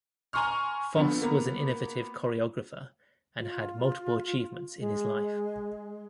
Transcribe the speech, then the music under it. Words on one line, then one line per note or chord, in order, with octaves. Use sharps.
Fosse was an innovative choreographer and had multiple achievements in his life.
G#5 A#5 C6 C#6 F6
D3 F3 B3
A#3 B3 A#5
F4
G#3